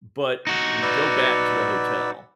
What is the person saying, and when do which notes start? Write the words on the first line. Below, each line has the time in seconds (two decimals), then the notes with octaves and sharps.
but we go back to the hotel,
0.47 D#4 F#4
0.82 B4 D5 E6